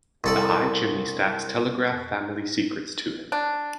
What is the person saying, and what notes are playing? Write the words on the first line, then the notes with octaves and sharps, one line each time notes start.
The high chimney-stacks telegraph family secrets to him.
C2 A4 D5
D4